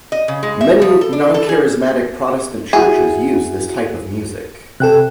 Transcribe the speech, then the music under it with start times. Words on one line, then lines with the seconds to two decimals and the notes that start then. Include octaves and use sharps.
Many non-charismatic Protestant churches use this type of music.
0.12 D#5
0.28 C#3
0.43 G#3
0.61 E5
0.82 F3
1.01 A4
1.13 D4
1.34 A4
1.49 G#4
2.73 E4 F#4 G#4
4.80 C3 A4 G5 F#6